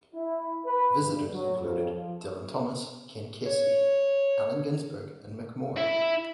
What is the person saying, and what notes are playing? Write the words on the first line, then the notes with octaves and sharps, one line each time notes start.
Visitors included Dylan Thomas, Ken Kesey, Allen Ginsberg and Mik Moore.
E4
B4
G2
F#3
F2
F3
C#5
E4